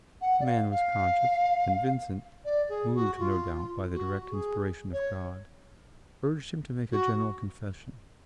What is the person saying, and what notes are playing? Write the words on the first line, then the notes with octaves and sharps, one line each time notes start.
The man was conscious, and Vincent--moved, no doubt, by the direct inspiration of God--urged him to make a General Confession.
F#5
D5
F5
F5
D5
G#4
F#4
F4
F#4
G#4
C#5
F#4